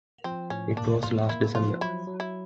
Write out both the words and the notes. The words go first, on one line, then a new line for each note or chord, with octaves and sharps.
It was last December.
F3 C4
A2 C#4
A#3 D4
A2 F4
A#3 E4
F3 F4
F#3 E4
F#3
E4